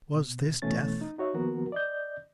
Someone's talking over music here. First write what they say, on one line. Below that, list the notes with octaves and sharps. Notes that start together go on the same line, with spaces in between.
Was this death?
B2
B2 E3 A3 C#4 A6
D#4
D#4 F#4 C#5 E5
D#3 F3 A#3 B3 F#4 A#4
D5 D#5 G6